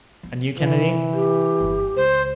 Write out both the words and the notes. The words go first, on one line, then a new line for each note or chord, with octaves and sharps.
"And you, Kennedy?"
F3 B3
C3 E3
G4
G1 F2
C#2 C5